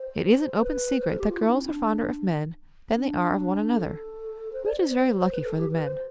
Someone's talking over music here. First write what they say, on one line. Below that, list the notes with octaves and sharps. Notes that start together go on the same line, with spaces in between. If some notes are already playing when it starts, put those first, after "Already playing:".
It is an open secret that girls are fonder of men than they are of one another--which is very lucky for the men.
Already playing: C5
B4
C5
A4
G4
F4
E4
D4
C4
D4
D4
A4
C5
D5
C5
C5
B4
A4
G4
B4
C5